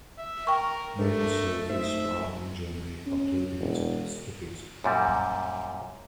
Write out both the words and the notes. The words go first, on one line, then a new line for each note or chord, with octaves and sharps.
Naval service while in Germany concluding his studies.
E5
A#4 G5 C#6
A3 D4 A4 A#4
A3 D#4 C5 E5
C#4
E1
F#2 A#2 G3